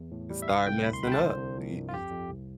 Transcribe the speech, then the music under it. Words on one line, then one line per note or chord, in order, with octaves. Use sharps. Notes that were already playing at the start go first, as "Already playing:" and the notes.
and started messing up. Y yes,
Already playing: E2
A2
G3
E5
C2 F5
C2 G5
D2 B5
C6
D3 G5 B5
A5
C2 C5
C2
F3
G2
F4
F2 G4
F2
C2